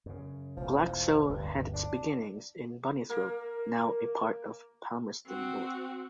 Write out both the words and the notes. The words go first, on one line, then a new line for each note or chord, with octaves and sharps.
Glaxo had its beginnings in Bunnythorpe, now a part of Palmerston North.
F#2 C#3
E1 A1 F3
D1 G1 G2 C3
D4
A#3 A#4
C4 F#4